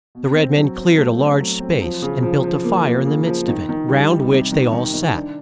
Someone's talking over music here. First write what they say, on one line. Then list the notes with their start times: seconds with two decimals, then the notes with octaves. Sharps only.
The red-men cleared a large space, and built a fire in the midst of it, round which they all sat.
0.15 B2
0.35 C4
0.56 F#3
0.77 C4
0.98 A3
1.19 C4
1.40 F#3
1.60 C4
1.81 F3
2.02 C#3
2.22 F3
2.44 F3
2.64 A#3
2.86 A#3
3.06 C#3
3.26 F3
3.48 D#3
3.69 D#3
3.89 G3
4.11 G3
4.31 C3
4.52 D#3
4.73 D#3
4.94 D#3
5.14 D4